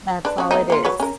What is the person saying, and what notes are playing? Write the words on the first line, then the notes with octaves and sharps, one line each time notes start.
That's all it is.
D4 B4
C#4 F#4
A3 B3 D#4
A#3 F4
F#3 B4 C#5
C#4 A#4